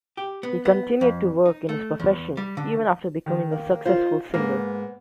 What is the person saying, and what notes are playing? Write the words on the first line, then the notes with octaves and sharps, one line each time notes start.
He continued to work in his profession even after becoming a successful singer.
G4
B3
B3
F2
D#4
A3
E2
G3
D3
D#3
A#3
D#3 F4 C5
D#4
G#2 A#3 B3